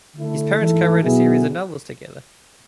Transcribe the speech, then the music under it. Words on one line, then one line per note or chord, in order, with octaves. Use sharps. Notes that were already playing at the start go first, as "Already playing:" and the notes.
His parents cowrote a series of novels together.
D3 A3 E4 A4
G#2 E3 A3 E4 A4
B2 F#3 B3 E4 G#4